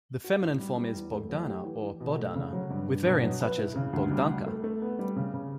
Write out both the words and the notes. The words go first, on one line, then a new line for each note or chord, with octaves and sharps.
The feminine form is Bogdana or Bohdana, with variants such as "Bogdanka".
F#4
A2
G3
G3
E2
A3
F#3
G4
E3
E3
B2
A3
C#3
F#3
G2
G2
B2
F#3
B4
E4
C#3
D2
G3
G3
A3
A3
B3
G3
C#3
C#3